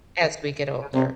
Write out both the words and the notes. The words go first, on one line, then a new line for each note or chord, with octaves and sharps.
as we get older.
C3